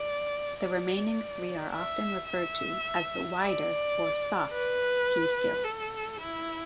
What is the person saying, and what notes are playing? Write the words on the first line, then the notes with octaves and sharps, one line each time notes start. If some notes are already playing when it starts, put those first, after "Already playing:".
The remaining three are often referred to as the 'wider' or 'soft' Key Skills.
Already playing: D5
D5
E5
E5
D5
B4
A4
E4